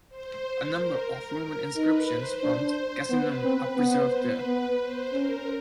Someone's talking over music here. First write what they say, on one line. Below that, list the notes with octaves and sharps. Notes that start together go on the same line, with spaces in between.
A number of Roman inscriptions from Casinum are preserved there.
C5
A#4
A#4
A#4
D#4 B4
C5
D4
B3 B4
C4
B3 C5
B4
B3
C5
C#4 A#4